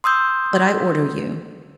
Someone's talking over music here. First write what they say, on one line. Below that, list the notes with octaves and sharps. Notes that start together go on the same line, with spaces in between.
But I order you.
C6 D#6 E6 G6